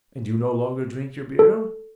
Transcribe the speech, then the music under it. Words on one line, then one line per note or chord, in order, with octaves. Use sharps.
"And you no longer drink your beer?"
A4